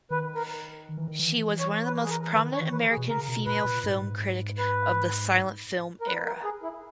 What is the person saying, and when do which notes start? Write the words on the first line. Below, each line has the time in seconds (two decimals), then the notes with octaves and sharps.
She was the most prominent American female film critic of the silent film era.
0.10 D#3 B4
0.35 A#4
0.97 E3
1.08 D#3
1.19 E3
1.59 C#5
1.85 B4
2.03 G#4
2.10 A#4
2.34 D#3 B4
2.53 C#5
2.60 E3
2.72 B4
2.90 G#4
2.97 B2
3.08 C#3 A#4
3.28 B2
3.46 A#2 B4
3.65 A#2
3.84 G#2
4.58 B4
6.01 A#4
6.07 B4
6.26 A#4
6.44 G#4
6.63 E4